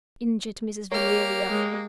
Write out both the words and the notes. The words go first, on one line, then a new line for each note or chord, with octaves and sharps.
Injured Mrs. Valeria!
A#3 G4 A#4 C#5 F6
G#3